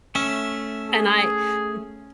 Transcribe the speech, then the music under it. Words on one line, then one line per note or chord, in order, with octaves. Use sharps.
And I n
A3 C#4 E5
G#4